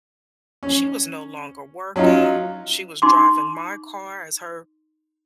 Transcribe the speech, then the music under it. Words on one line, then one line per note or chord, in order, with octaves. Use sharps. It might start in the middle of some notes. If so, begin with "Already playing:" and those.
she was no longer working, she was driving my car as her
C#4
F#3 C#4 D#4 F4
D#4 C6 D6